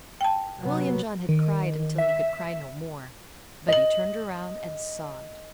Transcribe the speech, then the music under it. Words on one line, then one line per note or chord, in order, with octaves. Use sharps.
William John had cried until he could cry no more, but he turned around and sobbed.
G5 A5
C3 F#3 B3
D#3
E5
D#5 F#7